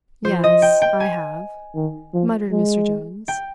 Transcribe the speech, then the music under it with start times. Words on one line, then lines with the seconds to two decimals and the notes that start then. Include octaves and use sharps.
"Yes, I have," muttered Mr. Jones.
0.24 F3 C5
0.44 D#5
0.62 G5
0.82 G5
1.00 G#5
1.75 D#3
2.14 F3
2.52 G#3
3.28 G5